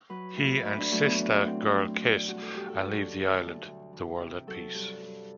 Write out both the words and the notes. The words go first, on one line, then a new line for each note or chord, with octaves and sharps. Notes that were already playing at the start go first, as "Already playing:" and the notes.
He and Sistah Girl kiss and leave the island, the world at peace.
F#3 B4
A2 B4
A2 B4
D4
F#3 A3
B3
E2 B3
E2 C4
F#3 C4
B2 D4
G2 F#4
A4
G2 G4
A4
F#3 F#4
D4
D3 D4
A4
D2
D2
E3
C3
F#3 A4
G2
G2